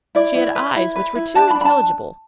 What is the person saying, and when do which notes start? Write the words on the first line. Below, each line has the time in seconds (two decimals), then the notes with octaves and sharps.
She had eyes which were too intelligible.
0.15 E4 D5
0.35 E4
0.55 B4
0.75 E4
0.96 B4
1.15 E4
1.35 D4 A5
1.50 B5
1.55 D4
1.61 B5
1.65 A5